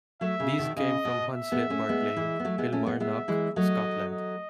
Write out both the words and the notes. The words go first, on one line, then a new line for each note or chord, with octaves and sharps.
These came from Hunslet-Barclay, Kilmarnock, Scotland.
F#3 A3 E5
C#3
B2 D#3
C#3 D#5
B2
E5
G#3 B3
A3 C#4
G#3 B3
E3 G#3
B3
F#3 A3
G#3 B3
A3 C#4
G#3 B3
G#3 B3 E5
E3 G#3
F#3 A3 D#5
D#5